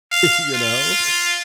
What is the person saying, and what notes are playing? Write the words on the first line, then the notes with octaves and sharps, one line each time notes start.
you know?
F5
F4